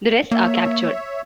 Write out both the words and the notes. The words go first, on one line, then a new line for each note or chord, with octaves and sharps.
The rest are captured.
A#3 C#5 E5